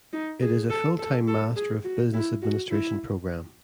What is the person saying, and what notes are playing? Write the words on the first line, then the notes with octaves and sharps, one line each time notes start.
It is a full-time Master of Business Administration programme.
D#4
G#4
A4
A4
A4
G#4
F#4
E4
F#4
E4